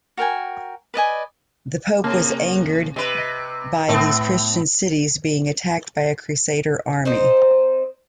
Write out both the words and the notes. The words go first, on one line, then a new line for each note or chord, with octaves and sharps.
The Pope was angered by these Christian cities being attacked by a Crusader army.
F#4 A#4 G5 G#5
B4 D5 D#5 G#5
C3 A#3
C3 B4 D#5
D#5
A2 B3 C4
C4 D#4 C5